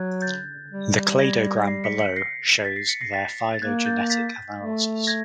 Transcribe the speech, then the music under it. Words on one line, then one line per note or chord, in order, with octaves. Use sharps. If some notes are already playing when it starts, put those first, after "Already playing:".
The cladogram below shows their phylogenetic analysis.
Already playing: F#3 F#6 G#6
G6 A6
G3
G#6 A#6
A#6 C7
B6 C#7
B6 C#7
A#6 C7
A6 B6
A#6 C7
B6 C#7
A#6 C7
A6 B6
A6
A#3 F#6 G#6
G6 A6
A6 B6
A3
G#6 A#6